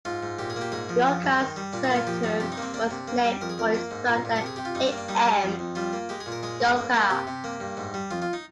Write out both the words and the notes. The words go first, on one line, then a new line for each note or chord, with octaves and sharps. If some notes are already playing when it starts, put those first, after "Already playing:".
Lyulka-Saturn was named for its founder, A. M. Lyulka.
G#2 F4
G#2
A#2 G4
G#4
A#3
G4
G#2 G#4
F3
F3
G2
D#3
G3
A#2 D4
D#4
A#3
F4
F3 G4
G2 D#4
C3 G4
D#4
A#3
C4
A#3 D4
C3
A#3
G3
F2 A#4
G#4
F2 A#4
A#3
G#2
A#2
A#2
A#4
C3
G#4
C3 G4
F4
G2 D#4
D4
A#3
D4
G3 D#4
G3
F2
F2
G3 F4
A#3
G#3 G4
G#4
A#2
A#4
G#3 G#4
G#2
A#3
A#3
C3 G4
C3
A#3
G2
G#2
G3
F2 F4
F4
D#4